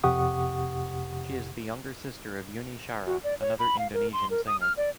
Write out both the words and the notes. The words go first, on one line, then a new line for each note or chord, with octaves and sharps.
She is the younger sister of Yuni Shara, another Indonesian singer.
F2 C3 G4 F#5 C#6 D#6
F#4
D5
C#5
B5
F5
A#4
C6
A#4
D#6
F6
D5